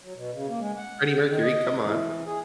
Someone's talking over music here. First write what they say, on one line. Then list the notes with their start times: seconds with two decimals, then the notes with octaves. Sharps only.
Freddie Mercury, come on.
0.01 F#3
0.16 B2
0.33 C#3
0.48 A#3
0.60 G#3
0.77 F#5
1.27 D#3
1.42 D#5
1.83 E3
2.26 G#4